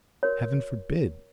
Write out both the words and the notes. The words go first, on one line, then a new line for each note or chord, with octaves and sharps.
Heaven forbid!
F#4 A#4 C#5